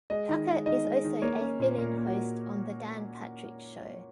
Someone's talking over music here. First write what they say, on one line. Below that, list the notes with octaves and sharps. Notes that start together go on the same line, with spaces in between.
Tucker is also a fill-in host on the "Dan Patrick Show".
G#3 D#5
D#3
G#3
D#3 D#5
G#3
D#3
A#3 C#5
C#4
A#2
A#2 A#4
A#3
F#4